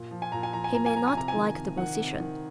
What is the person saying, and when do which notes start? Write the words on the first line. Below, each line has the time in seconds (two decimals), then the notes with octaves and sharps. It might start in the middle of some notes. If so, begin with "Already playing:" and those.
He may not like the position.
Already playing: A#2
0.11 F3
0.22 G#5
0.32 A#2 A#5
0.43 G#5
0.53 F3 A#5
0.64 G#5
0.73 A#2 A#5
0.86 G#5
0.94 F3 A#5
1.07 G#5
1.15 C3 A#5
1.28 G#5
1.36 D#3
1.57 C3
1.77 D#3 F#5
1.98 C3
2.19 D#3